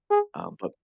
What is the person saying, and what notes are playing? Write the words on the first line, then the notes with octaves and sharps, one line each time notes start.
Uh, but
G#4